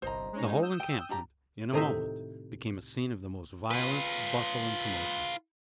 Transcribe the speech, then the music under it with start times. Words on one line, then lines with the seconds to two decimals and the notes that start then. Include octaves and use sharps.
The whole encampment, in a moment, became a scene of the most violent bustle and commotion.
0.02 G1 C2 C5 D#5 A#5
0.33 G#3 C#4 D#4
0.62 D#6 E6 G6
0.80 G5
1.09 D4 G4 A#5
1.73 A2 C3 D#3 D#4 C5 E5
3.71 F4 B4